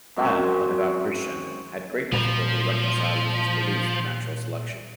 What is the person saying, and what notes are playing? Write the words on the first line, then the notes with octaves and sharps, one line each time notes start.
Lyell, a devout Christian, had great difficulty reconciling his beliefs with natural selection.
F#2 G#3 C4 C#4
A#2 F3 G3